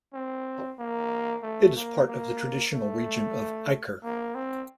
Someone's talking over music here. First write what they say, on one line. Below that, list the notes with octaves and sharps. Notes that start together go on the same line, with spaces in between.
It is part of the traditional region of Eiker.
C4
A#3
A3
A#3
A#3
A3
A#3
C4